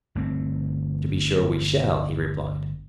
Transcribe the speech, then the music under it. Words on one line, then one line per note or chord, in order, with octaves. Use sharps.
To be sure we shall, he replied.
G1 A3 C4